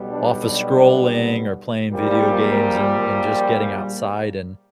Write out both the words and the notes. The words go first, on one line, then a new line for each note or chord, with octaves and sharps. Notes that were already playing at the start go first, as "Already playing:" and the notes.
office scrolling or playing video games and and just getting outside, and,
Already playing: B1 B2 G3 B3
D4
D4
A#1 A#2 G3 A#3
A#4